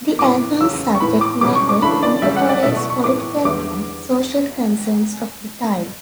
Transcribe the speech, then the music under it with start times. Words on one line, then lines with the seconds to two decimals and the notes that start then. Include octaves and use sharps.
The album's subject matter incorporates political and social concerns of the time.
0.19 A2 F#3 B3 E4 D6
0.60 E2 C#3 F#3 E6
0.95 C#6
1.00 A2 E3 B3 B5
1.21 D6
1.41 B2 G3 C#4 D6
1.55 C#6
1.69 D6
1.82 C#3 E3 A3 D4 B5
2.03 D5
2.22 F#2 C#3 G3 E5
2.37 F#5
2.49 D5
2.63 B2 A3 E4 E5
2.77 C#6
2.90 C#6
3.04 A2 E3 B3 E4 D6
3.44 E2 D3 G3 B3 E4 D6